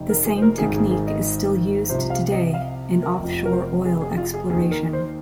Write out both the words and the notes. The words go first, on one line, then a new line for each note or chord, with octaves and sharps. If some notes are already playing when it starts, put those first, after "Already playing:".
The same technique is still used today in offshore oil exploration.
Already playing: F1 F2 D#3
A#4
G#4
C5
A#4
G#1 G#2 D#3 G#4
G#4
G#4
D#5
C2 C3 F3 C5
F5
D#5
F5
A#4
F1 F2 F3
A#4
C5
G#4
G#4
F4
G#4
D#2 D#3 G#4
A#4
C5